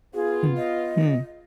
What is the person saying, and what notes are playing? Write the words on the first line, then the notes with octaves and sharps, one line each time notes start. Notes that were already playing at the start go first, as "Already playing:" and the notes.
Mm. Hmm.
B3 F4 G#4
D#5